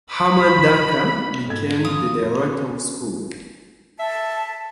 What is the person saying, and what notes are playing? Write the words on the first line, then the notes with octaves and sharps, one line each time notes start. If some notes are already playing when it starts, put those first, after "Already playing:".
Hermann Duncker became the director of school.
B5
G#2 A4 G#6
F2 F4 D#6
C#4
E5 A5